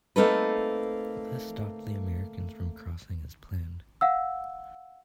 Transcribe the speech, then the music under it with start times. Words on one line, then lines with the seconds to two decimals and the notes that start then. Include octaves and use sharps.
This stopped the Americans from crossing as planned.
0.16 A3 A#3 C4 D#4 A4 B4
4.01 F5 F#5 E6